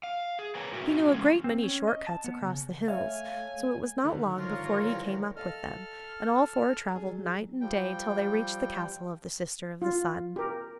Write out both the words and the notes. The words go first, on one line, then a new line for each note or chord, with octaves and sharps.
He knew a great many short cuts across the hills, so it was not long before he came up with them, and all four travelled night and day till they reached the castle of the Sister of the Sun.
F5
G#4
A#4 B4 C#5 G#5
A2 C4 F#4 A#4 E5
E2 G#3 C#4
C4
C#4
D#5
A5
B3
C#3
A3 C#5 E5 F5 G#5
D3 D#3 A3
G2 F3 F4 A#4 C#5
E3 F3 G3
A4 D#5 F5 F6
D4 G#4
F#3
F3 G3 G5
F4
G4 A#4